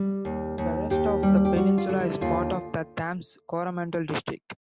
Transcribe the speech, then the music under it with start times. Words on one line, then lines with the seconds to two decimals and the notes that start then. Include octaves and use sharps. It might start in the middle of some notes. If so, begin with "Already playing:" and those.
The rest of the peninsula is part of the Thames-Coromandel district.
Already playing: G3
0.25 D#2
0.58 D#2
0.90 D#2 G4
1.23 G3
1.45 G4
1.56 G3 F#4
1.78 F4
1.89 D3
2.00 E4
2.21 D#2 F4